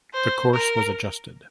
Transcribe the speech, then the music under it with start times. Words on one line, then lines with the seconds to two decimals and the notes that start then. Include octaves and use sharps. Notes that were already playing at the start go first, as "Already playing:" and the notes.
The course was adjusted.
0.13 C5
0.53 A#4